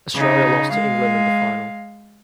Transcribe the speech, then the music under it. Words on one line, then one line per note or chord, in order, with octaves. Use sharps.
Australia lost to England in the final.
C#3 D#4
G#3 F5